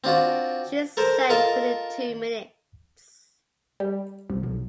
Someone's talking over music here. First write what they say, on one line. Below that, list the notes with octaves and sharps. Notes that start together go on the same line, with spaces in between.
She sank within two minutes.
C4 D4 F4 F#4
A4 A#4 C5
F4 A4 A#4 D#5 A5
G3
C2
B1